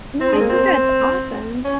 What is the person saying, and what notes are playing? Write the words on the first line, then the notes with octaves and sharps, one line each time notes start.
Well, I think that's awesome.
C4
G#3
A#3
C4
C#4